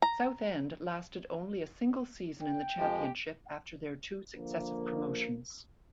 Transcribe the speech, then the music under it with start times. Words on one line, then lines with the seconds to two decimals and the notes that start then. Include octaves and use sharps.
Southend lasted only a single season in the Championship after their two successive promotions.
0.02 A#5
2.42 G5
2.79 F2 F3 G#3 G4
4.36 D3 F3 A#3